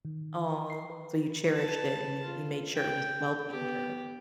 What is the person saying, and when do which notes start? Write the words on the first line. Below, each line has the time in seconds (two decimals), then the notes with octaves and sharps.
Aw, so, you cherished it, and you you made sure it was well taken care of.
0.05 D#3
0.70 C7
0.90 B4
1.50 B4 A5
2.23 F4
2.76 G5
3.50 B3 G4